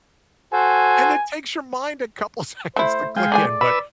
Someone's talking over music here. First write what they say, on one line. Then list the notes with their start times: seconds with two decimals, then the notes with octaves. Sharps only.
and it takes your mind a couple seconds to click in but
0.52 F#4 A4 C5 G#5
2.76 A3 E4 C5
3.16 G#3 F5 G5
3.32 A3 G#4 D5 G#5
3.61 B4 B5 E6